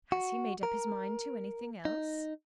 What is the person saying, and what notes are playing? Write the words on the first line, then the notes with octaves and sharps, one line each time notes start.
"Has he made up his mind to anything else?"
F#4
A#4
D#4